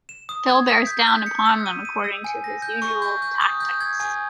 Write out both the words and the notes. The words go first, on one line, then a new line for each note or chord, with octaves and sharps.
Phil bears down upon them according to his usual tactics.
E7
D#6
G#6
B6
G6
G6
C#7
E6
D#7
D#7
E6
G#5
A#6
G6
C#6
G6
G6
D#6
G6
G#6
G#5